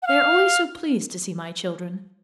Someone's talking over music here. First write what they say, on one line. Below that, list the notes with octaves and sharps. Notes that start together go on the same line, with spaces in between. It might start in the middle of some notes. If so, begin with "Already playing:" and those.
They are always so pleased to see my children.
F#5
F5